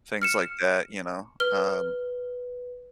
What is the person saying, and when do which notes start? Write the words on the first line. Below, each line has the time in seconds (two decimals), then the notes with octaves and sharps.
things like that, you know, um,
0.22 F6 C#7 E7
1.40 B4 F6 G7